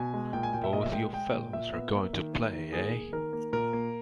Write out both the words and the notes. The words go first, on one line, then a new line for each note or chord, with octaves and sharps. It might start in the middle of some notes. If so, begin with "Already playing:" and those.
Both you fellows are going to play, eh?
Already playing: B2 G#5
G#3
A#2 G5
G#5
A#2 G5
E5
A#2 D#5
E5
G#3 G5
G#3 G5
A#2
A#2 E5
B3
A#3
D#3
A#3
D#3
A#3 G#4
A#3
D#3 A#4
A#3
A#2 A#4
A#3